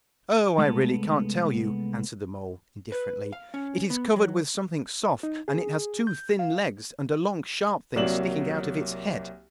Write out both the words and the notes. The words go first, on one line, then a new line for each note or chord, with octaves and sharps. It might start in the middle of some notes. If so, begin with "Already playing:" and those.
'Oh, I really can't tell you,' answered the mole, indifferently; 'it is covered with something soft, and it has two thin legs, and a long sharp thing sticking out of its head.'
C2 G#3 A3 B3 D#5 A5
B4
F5
C#4
B3
F#3
D#4
G#4
G6
F5
C2 F#3 A#3 D5 E7 F#7